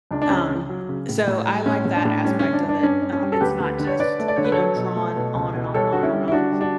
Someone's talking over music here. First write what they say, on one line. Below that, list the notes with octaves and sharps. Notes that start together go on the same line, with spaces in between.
Um, so, I like that aspect of it, um, it's not just, you know, drawn on and on and on and on and on.
C#2 D4
D4
C#2 C#4
C#3
F#3
C#3
A2
A2
G3
A2 C#4
A2
D4
A2
G3 C#4
D3 C#4
D4
G2
D4
G2 C#4
G2
C#4
G3
A4
D2 G4 B4
D2
D3
C#5
D3 B4 D5
A3
D5
D3 C#5
B4
A4 C#5
F#3
B2
A3
B2
C#2
B2
G3 A4 C#5
D3 F#4
C#4 E4
G3
E4
D3 D4 F#4
G3
D4 F#4